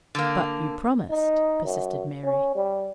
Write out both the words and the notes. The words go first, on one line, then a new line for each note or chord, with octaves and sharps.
"But you promised," persisted Mary.
D3 A#3
D#4
F#2
C#4
G3